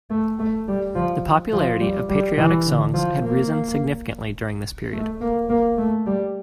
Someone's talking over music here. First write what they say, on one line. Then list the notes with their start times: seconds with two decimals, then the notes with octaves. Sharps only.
The popularity of patriotic songs had risen significantly during this period.
0.10 A3
0.39 A3
0.68 G3
0.95 F3
1.53 F3
1.81 G3
2.09 G3
2.37 E3
2.66 D3
2.94 F3
3.23 A#3
4.93 A3
5.21 A#3
5.49 A#3
5.78 A3
6.06 G3